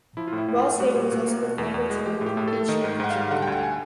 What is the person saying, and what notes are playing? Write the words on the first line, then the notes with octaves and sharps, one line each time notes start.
Ball State was also the favorite to win the conference championship game.
F3 E4
A2 F4
E4
A2
F4
A3
G3 F#4
A#2
A#2
A#3
B2
E2
E2
G#3
F3 G4
A2
G4
A2
A4
A3
D#3 D#5
G#2
G#2 F#5
F5
G3
D3 F#5
G5
D2 F#5
G#5